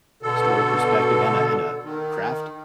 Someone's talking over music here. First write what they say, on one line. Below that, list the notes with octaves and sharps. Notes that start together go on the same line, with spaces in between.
story perspective and a and a craft.
B2 D3 A4
D#3